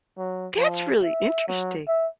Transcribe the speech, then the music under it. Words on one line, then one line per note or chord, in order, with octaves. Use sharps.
That's really interesting.
F#3
F3
E5
F#3
E5